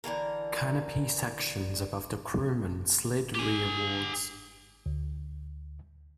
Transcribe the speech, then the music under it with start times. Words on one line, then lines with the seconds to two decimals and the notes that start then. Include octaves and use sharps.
Canopy sections above the crewmen slid rearwards.
0.04 D3 E3 A#3 A#4
3.35 G4 G#5
4.86 D2